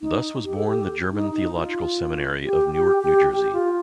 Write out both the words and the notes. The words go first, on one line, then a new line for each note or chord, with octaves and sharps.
Thus was born the German Theological Seminary of Newark, New Jersey.
D#4
G4
A4
G4
D#4
D#4
F4
G4
G4
G4
G4
F4